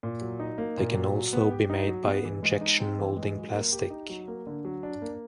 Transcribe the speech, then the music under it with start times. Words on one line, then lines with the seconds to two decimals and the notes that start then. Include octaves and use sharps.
They can also be made by injection molding plastic.
0.03 A#2
0.21 F#3
0.40 D#4
0.58 A#3
0.77 A#2
0.96 F#3
1.14 F#3
1.33 B3
1.51 G4
1.70 D#4
1.87 F#3
2.06 B3
2.25 E3
2.43 G#3
2.61 D#4
2.80 C4
2.99 E3
3.17 G#3
3.35 F#3
3.54 A#3
3.72 G4
3.90 D#4
4.09 F#3
4.28 A#3
4.47 D3
4.65 F#3
4.83 D4
5.02 A#3